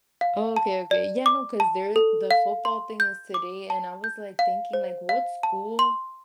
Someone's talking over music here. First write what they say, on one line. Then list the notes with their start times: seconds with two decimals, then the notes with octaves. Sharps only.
Okay, okay, yeah, no, 'cause there the football thing is today, and I was, like, thinking, like, "What school
0.21 F5
0.56 A5
0.91 D5
1.26 D6
1.60 A5
1.96 A4
2.31 F5
2.65 C6
3.00 G6
3.34 D6
3.70 A5
4.04 G6
4.39 F5
4.73 C5
5.09 F5
5.43 A5
5.79 C6